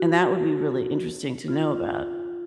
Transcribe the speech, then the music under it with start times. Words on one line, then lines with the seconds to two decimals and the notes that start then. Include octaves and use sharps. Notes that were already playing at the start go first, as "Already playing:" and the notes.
and that would be really interesting to know about.
Already playing: F#4
1.48 F4